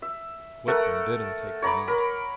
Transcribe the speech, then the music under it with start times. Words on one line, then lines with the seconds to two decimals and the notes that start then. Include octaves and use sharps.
Whitburn didn't take the hint.
0.02 E5
0.68 A3 A4 A#4 F#5
1.62 C#5 A#5 B5 D6
1.87 A#4 B5